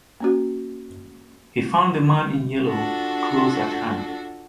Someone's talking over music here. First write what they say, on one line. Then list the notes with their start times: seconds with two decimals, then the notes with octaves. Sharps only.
He found the man in yellow close at hand.
0.20 A#3 C#4 F#4
2.66 D4 F4 F#4 A4